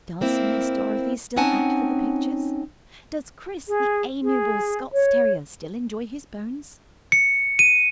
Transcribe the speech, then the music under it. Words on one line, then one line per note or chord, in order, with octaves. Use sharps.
Does Miss Dorothy still act for the pictures? Does Chris, the amiable Scots terrier, still enjoy his bones?
A#3 C4 E4
C4 C#4 D#4 F#5 G#5 A5
G#4
G#4
C#5
C#7
D#7